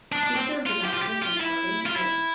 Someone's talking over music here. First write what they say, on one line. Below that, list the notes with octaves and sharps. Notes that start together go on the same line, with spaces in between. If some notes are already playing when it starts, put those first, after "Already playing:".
He served in that position for eight years.
D4
D4
C4
F4
G4
F4
G4
F4
E4
F4
E4